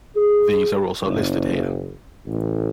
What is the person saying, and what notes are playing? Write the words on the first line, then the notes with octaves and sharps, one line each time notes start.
These are also listed here.
G#4
F#1
A1